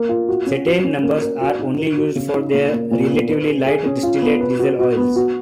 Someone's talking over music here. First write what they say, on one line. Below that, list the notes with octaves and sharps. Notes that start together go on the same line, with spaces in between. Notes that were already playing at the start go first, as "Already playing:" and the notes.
Cetane numbers are only used for the relatively light distillate diesel oils.
Already playing: A#3
F4
F#4
C#4
F#4
C#4
A#3
A#4
F#4
D#4
A#4
F#4
C#3
D#4
A#2
A#3
A#2
B3
B4
G#4
G#4
C#4
F4
B3
B4
F#4
F#4
B3
F#4